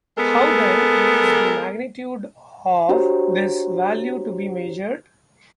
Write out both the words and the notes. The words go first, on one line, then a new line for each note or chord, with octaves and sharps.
How, then, is the magnitude of this value to be measured?
G#3 B3 A4 A#4
D4 F#4 G4 C5 C#5 A#5